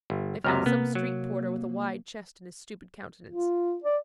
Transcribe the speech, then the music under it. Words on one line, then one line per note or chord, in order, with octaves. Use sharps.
They found some street porter with a wide chest and a stupid countenance.
G1
C#2 F#2 C3 A#5 F6
C3 A#3 B3
F#3
F4
D5